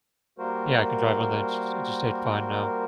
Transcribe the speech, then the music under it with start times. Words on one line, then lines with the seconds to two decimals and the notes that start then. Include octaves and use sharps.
Yeah, I can drive on the insters interstate fine now.
0.38 G3 A#3 F#4 A#4 C5